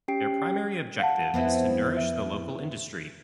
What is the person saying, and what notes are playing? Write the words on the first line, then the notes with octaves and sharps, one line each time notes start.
Their primary objective is to nourish the local industry.
C#4 G4 G5 C7 D7
F5 F#5 A5
F2 B3 C4 E4
E5